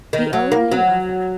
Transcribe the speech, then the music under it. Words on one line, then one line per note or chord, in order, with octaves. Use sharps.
'The only other.
D#3
F#3
A#3
F#3